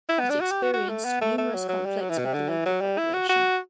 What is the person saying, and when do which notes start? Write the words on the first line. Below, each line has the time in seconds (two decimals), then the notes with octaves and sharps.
It experienced numerous conflicts with the local population.
0.09 E4
0.20 B3
0.30 D4
0.41 F#4
0.51 G4
0.63 F#4
0.73 F#4
0.89 A3
1.05 B3
1.21 A3
1.38 A3
1.54 F#3
1.69 F#3
1.85 G3
2.01 F#3
2.09 E3
2.18 B2
2.25 C3
2.34 D3
2.49 E3
2.66 F#3
2.81 G3
2.98 E4
3.14 F#4
3.29 F#4